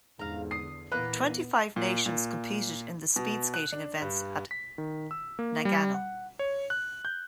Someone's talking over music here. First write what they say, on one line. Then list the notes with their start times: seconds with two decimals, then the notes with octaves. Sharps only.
Twenty-five nations competed in the speed skating events at Nagano.
0.19 E2 G#2 D3 F5 A#5
0.51 D#6 C7
0.92 A#2 E3 A#3 B3 B4 A#5 F#6
1.76 A#2
2.06 A#2
3.16 B2
3.54 F#6
3.72 D4
4.01 G2
4.51 B6
4.78 D#3
5.11 E6
5.39 A#3
5.65 G3
5.94 F#5
6.39 C#5
6.70 F#6
7.05 G6